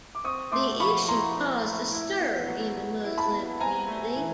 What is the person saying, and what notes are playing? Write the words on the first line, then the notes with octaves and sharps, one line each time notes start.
The issue caused a stir in the Muslim community.
D6
C4 C#6 D#6
A3 C6 D6
F3 B5 C#6
E4 A#5 C6
C4
A3
E4
B3
F#3
F#3
E4
A5 B5
B3
C4 G#5 A#5
A3
E3